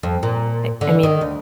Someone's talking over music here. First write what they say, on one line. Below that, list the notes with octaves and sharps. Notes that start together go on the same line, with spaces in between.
I I mean,
F2
A#2
D3
D#3
D2